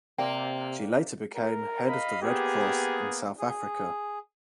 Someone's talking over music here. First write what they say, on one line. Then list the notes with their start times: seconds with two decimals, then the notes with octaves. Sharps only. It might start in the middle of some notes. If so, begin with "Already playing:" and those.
She later became head of the Red Cross in South Africa.
0.18 C3 A#3 D5 G5
1.35 A#4
1.87 D#5 F5 B5
2.22 A#3 B3 G4 G#4
3.38 G#4